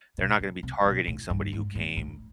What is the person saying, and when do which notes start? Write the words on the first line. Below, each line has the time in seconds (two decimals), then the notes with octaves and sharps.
They're not gonna be targeting somebody who came,
0.18 B2
0.40 C#3
0.63 C3
0.85 B2
1.07 A2
1.30 G2
1.53 G#2
1.75 A2
1.97 A2